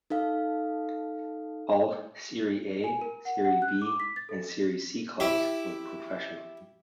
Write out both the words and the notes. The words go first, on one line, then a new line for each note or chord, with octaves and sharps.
All Serie A, Serie B and Serie C clubs are professional.
D#4 A4 F5
G#5
A#4
F#5
F#5
F#6
D6
B6
A6
A4
E4 G4